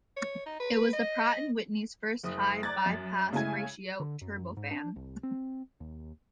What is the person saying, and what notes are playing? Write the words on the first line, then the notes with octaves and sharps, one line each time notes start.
It was the Pratt and Whitney's first high-bypass-ratio turbofan.
C#5
D#4
B4
D#5
F#1 D#6
D5 A#5 D6 F#6 G#6 A6
F#2
C#3 G#3 A3 E4 G#5 G#6
D3
F#2
G#2
D4
C2
C4
D#2